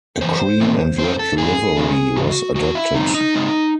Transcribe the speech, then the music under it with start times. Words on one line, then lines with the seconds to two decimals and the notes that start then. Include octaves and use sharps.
A cream and red livery was adopted.
0.21 F#2 E3 C5
0.60 A2 E3 A3 C4
0.98 G#2 F#3 C4 C5
1.19 A4
1.38 G#2 D#3 G#3 G#4
1.77 E2 C3 D#3 G#3 C4
2.16 G#2 E3 F#4
2.55 E2 D#3 F#3 F#4
2.75 E4
2.95 F#2 D#3 G#3 C4 D#4
3.14 D#4
3.34 C#3 G#3 C4